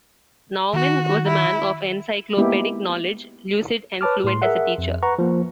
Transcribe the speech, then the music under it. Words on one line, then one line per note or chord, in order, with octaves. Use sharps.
Naumann was a man of encyclopedic knowledge, lucid and fluent as a teacher.
D#3 F#4
E4
G#3 A#3 B3 D#4 E4 G4
B4 C#5 A5 D6 F6
A2 C6
G#4 A#4 E5 F#5
F2
B4 F#5 A#5 C#6
F3 A#3